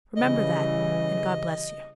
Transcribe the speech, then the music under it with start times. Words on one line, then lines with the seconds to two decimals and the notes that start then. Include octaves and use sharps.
Remember that, and 'God bless you!'
0.17 C#3 E3 G3 D#5